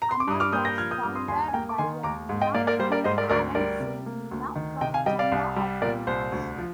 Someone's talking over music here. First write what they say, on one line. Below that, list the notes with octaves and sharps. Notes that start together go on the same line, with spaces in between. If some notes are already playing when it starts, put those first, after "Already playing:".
Amer was founded by a Meena king Alan Singh Meena from Chanda of Meenas.
A#5
C6
D6
G2 D#6
D6 F6
A#3 D#6 G6
G6 A#6
F3 F6 G#6
D#6 G6
G2 D6 F6
C6 D#6
D#2 G#5 C6
G#5
A#3 G5 A#5
D6
D#3 G#5 C6
D#2 A#5 D6
G#2
D#5 G5
A#3 D5 F5
A#4 D5
G3 C5
A#4 D5
G#2 C5 D#5
A#4 D5
D2 A#4 D5
G3 A#4 D5
C3
A#3
D2
D#3
C3 D#5 G5
F5 G#5
G3 D#5 G5
D5 F5
C2
G3
A#2 A#4 D5
C2 C5
D2
F3